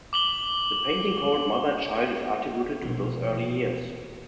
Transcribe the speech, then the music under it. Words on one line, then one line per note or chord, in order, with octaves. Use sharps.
The painting called "Mother and Child" is attributed to those early years.
D6 F#7 G7
A#1 B2 E3 F3